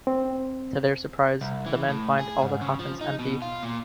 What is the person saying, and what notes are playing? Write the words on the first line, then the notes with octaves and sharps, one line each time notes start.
To their surprise, the men find all the coffins empty.
C4
C2
E3
A2
G#4
G#2
C#3
F3
D#4
B2
F4
A#2